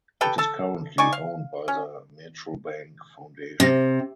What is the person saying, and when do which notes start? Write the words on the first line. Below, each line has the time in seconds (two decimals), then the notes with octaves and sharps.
It is currently owned by the Metrobank Foundation.
0.21 G4 A4 B4 G5
0.38 A4 A5
0.98 D#4 D5 G#5 C#6
1.13 F5
1.68 C#4
3.60 C3